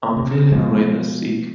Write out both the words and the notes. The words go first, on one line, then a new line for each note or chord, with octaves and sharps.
I'm feeling rather sick!
C3
B2 F3 G#3